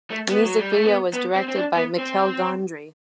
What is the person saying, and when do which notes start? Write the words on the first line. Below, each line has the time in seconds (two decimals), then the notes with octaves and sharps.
The music video was directed by Michel Gondry.
0.10 A3
0.31 B3
0.44 F#3
0.59 G3
0.72 A3
0.86 B3
1.14 B3
1.36 C4
1.48 C4
1.56 D4
1.76 B3
1.98 C4